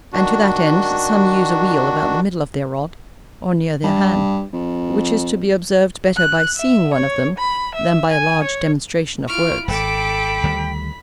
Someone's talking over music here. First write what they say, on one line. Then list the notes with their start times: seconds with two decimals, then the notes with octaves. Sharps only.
And to that end, some use a wheel about the middle of their rod, or near their hand, which is to be observed better by seeing one of them than by a large demonstration of words.
0.13 D#3 D4 F#4
3.84 G2
4.53 F2
6.16 F#6
6.57 E5
6.94 C#5
7.38 B5
7.75 E5
8.11 G#5
8.43 C#5
9.28 E4 F4 C#6 F6 D7
9.68 D#1 G#1 A4 G5 B5 D6 B6
10.43 D2 D#3 G3